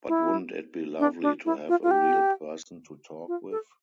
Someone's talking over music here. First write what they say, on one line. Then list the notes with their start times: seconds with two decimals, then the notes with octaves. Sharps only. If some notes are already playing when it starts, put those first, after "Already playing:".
But wouldn't it be lovely to have a real person to talk with?
0.08 E4
1.00 D4
1.22 D4
1.45 E4
1.69 F4
1.83 F4
1.91 G4
3.28 F4
3.51 A4